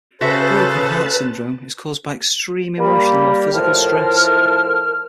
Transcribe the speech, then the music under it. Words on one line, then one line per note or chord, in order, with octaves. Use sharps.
Broken heart syndrome is caused by extreme emotional or physical stress.
C#3 F#4 A4 B4 C5 E5 A5
G3 A#3 B5
A2 F3 A#4 A5 F6